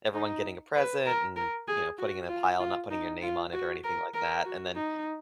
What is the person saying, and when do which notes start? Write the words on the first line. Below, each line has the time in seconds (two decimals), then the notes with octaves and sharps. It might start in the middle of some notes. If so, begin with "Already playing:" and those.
everyone getting a present and, you know, putting in a pile, not putting your name on it or anything like that, and then
0.14 D#4
0.75 B4
1.06 A#4
1.36 A#4
1.68 G#4
1.98 F#4
2.29 F4
2.60 F4
2.91 D#4
3.22 F4
3.53 F#4
3.84 A#4
4.14 A#4
4.45 F#4
4.75 D#4